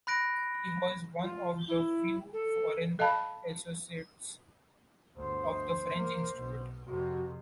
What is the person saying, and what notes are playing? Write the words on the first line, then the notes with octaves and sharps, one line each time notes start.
He was one of the few foreign associates of the French Institute.
B5 F#6 A#6 D7
F4
E4
A4
A4 D#5 F5 A5 B5
G1 D2 C5
A#3
B1 B2
F2 C3 F#4